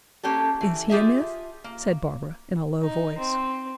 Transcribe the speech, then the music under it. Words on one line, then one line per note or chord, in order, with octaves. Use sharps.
"Is he a myth?" said Barbara, in a low voice.
A#3 C#4 G4 A4
E3
F4 G4 G#4 E5
A#3
D#4
C4